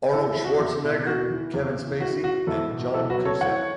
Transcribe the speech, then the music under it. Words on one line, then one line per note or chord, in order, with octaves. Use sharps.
Arnold Schwarzenegger, Kevin Spacey, and John Cusack.
E3 E4 A4
E4 A4
E3
F#4
E2 E4
B2 E4
E3 F#4
E3
E2
C#3
E3 F#4
E3 F#4
E2 E4 A4
B2
F#3 E4 A4
F#4 B4
F#3
A4 C#5
E3 C#5 F#5